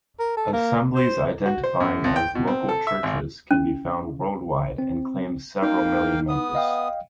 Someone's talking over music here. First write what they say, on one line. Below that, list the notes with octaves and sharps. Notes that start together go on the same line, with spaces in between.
Assemblies identifying as "local churches" can be found worldwide and claim several million members.
A#4
A4
A#3
C5
F#4
C5
F#2
F2
G5
B2
C4
A4
E5
G#1
C#4
C4
A#3 D#4 F5 G5
B3 D#6
D#5 F5 G5